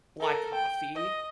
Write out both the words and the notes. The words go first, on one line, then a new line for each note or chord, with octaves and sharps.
black coffee,
A4 A#4
G5
D#5